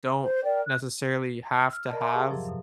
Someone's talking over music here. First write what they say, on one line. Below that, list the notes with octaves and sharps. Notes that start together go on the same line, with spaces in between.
don't necessarily have to have
C5
A#4 D5 G5
F#6
E6 F6
A#4 D5 D#5 A5
E5 F#5 A#5 C6 D6
G4 G#4 F5 A5
F2 G#2 C3 F3 F#3
F#2 B2